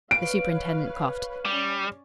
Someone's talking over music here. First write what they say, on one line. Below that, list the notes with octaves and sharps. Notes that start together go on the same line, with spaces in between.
The superintendent coughed.
B4 C#5 F5 D7
G3 C#4 D5